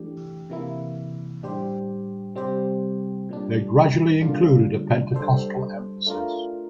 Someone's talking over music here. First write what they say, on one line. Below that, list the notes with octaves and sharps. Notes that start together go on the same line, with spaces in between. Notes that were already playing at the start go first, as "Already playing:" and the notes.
They gradually included a pentecostal emphasis.
Already playing: E3 A3 D4 G4
C3 E3 A#3 E4
A2 G3 D4 G4 C5
C3 G3 C4 G4 C5
A#2 G3 D4
D3 G3 A#3 D4 F4
G3 D4 A4 C5
A3 D4 F4 A#4